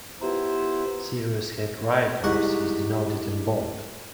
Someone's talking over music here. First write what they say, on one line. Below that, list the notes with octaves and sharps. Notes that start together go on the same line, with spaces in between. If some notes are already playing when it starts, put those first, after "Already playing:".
Series head writer is denoted in bold.
B3 E4 F4 G4 C5 A#5
C2 G#2 F#5 C#6